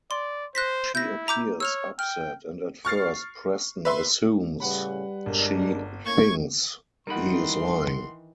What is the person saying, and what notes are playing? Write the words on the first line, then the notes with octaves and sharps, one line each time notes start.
She appears upset and at first Preston assumes she thinks he is lying.
D5 C6
C5 F#6 A#6 B6
E4 G6 A#6
A#5 D6 G6
C#5 E6 F6 F7
G5 F6
C#6 F6 A6 C7
B4 E5 C6
A2 C#3 G3 C#4 B4 F#5 B5
G1 G#3 D4 A#4
A2 A#3 C#4 C#6 G#6
D#3 E3 G3 D#4 A#4 F#5 B5 C6